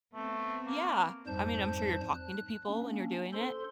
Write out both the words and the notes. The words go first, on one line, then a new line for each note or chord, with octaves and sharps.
Yeah. I mean, I'm sure you're talking to people when you're doing it.
A3 B3 C4
A#3
F2 G#2 G3 C5 A5 G6
F#6
A#3 C#4 D4
A4 C5 C6